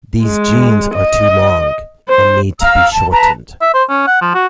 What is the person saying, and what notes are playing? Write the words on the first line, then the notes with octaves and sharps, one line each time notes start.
These jeans are too long, and need to be shortened.
G#3
D#5
C5
F5 A#5 E6 F6
A5
B4 A5 A#5
E5
C5
C#4
F#5
F3
F#4